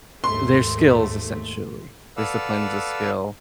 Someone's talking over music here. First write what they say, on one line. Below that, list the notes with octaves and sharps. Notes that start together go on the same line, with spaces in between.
They're skills, essentially, discipline's a skill.
D#2 G#2 A3 C6
A4 B4 D5 F5 F#5 E6